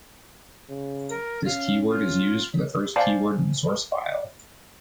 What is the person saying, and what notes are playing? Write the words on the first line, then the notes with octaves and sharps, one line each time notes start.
This keyword is usually the first keyword in the source file.
C#3
A#4
C#4 F5
F4
C5 D5 F5 G#5 A5